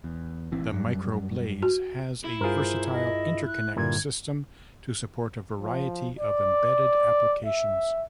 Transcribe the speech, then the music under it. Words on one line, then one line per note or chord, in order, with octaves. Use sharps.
The MicroBlaze has a versatile interconnect system to support a variety of embedded applications.
E2
G#1 E3 C4
F#2 F#3 G3
F#4
E4
G2 F4 G#4 A#4 C5
D#5
F#6
G2 A#2 D3 G#6
F3
D5
E5